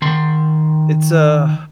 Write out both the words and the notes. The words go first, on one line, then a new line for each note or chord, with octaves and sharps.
It's a
D#3 C6